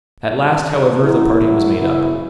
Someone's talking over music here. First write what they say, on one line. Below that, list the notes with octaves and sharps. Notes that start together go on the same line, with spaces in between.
At last, however, the party was made up.
G1 G2 D3 G3 B3 D4
G1 F#2 C#3 E3
E2 B2 F#3 E4
A1 G2 F#3
F#2 C#3 E3 B3 E4